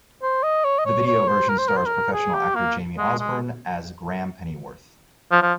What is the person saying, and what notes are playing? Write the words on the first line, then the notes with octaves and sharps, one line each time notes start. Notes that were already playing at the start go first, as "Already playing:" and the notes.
The video version stars professional actor Jamie Osborn as Graham Pennyworth.
C5
D#5
C#5
D#5
C#5
C#5
C5
A#4
C5
A#4
C5
A#4
G#4
G4
A#3
G#3
G#3
F3
F3